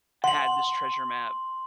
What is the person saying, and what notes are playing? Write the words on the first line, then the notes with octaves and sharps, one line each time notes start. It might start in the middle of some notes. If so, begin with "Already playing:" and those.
had this treasure map"
F#5 C6 F#7